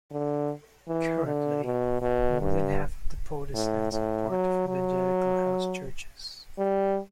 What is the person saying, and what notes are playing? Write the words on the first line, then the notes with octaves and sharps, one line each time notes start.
Currently, more than half of the Protestants are part of evangelical house churches.
D3
E3
D3
B2
B2
G2
A2
A2
F#3
F#3
G3